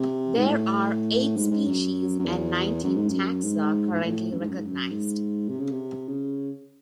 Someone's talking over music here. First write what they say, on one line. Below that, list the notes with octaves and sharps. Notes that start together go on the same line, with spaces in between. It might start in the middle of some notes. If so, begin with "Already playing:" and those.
There are eight species and nineteen taxa currently recognized.
Already playing: C3
G#2
A2
G#2
G#2
F#2
F#2
E2
F#2
G#2
F#2
G#2
G#2
A2
F#2
G#2
F#2
G#2
F#2
G#2
C3
C#3
C3
C#3